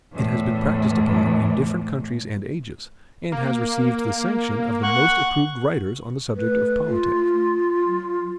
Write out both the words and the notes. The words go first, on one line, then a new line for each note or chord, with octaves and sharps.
It has been practiced upon in different countries and ages, and has received the sanction of the most approved writers on the subject of politics.
E2 A2
A#3
F#5 C#6 F#6
A3 B4
F4
F#3